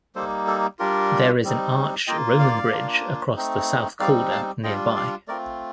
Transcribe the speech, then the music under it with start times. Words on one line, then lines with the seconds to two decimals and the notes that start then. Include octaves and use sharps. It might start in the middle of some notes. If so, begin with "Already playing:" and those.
There is an arched Roman bridge across the South Calder nearby.
0.15 G3 A#3 D#4 A4 C5
0.47 A4
0.79 G3 D4 F4 G4 A#4
1.44 G3 C4 D#4
2.07 A#3 F4 D#5 G5
2.39 D5 F5
2.72 A#3 D4 F4
3.36 A3 C4 D#4
4.00 G3 C4 D#4 D5 F5
4.31 F5 A5
4.63 G3 D4 F4 D#5 G5
4.96 D5 F5
5.28 A3 C4 F4 A#4 D5